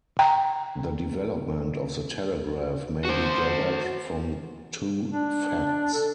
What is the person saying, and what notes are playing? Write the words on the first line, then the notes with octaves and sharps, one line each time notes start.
The development of the telegraph may be gathered from two facts.
G5 A#5
F#4 C5
D4
A4